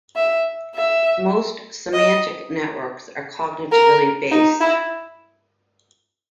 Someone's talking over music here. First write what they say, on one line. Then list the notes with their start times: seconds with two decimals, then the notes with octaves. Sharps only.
Most semantic networks are cognitively based.
0.16 E5
0.75 E5
1.94 D#5
3.72 A#4
4.31 D#4
4.61 E4